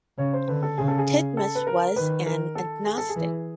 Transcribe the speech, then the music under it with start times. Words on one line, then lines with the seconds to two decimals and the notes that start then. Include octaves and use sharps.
Titmuss was an agnostic.
0.18 C#3 C#5
0.33 C5
0.48 D3 B4
0.63 A4
0.78 C#3 G#4
0.88 A4
0.98 G#4
1.37 A4
1.55 B4
1.67 A#4
1.96 D#3 B4
2.26 A#4
2.55 A4
2.86 G#4
2.98 A4
3.09 G#4
3.16 E3